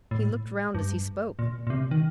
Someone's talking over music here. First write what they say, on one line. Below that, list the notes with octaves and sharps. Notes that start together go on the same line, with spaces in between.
He looked round as he spoke.
A2
G2
A#2
A#2
C3
D#3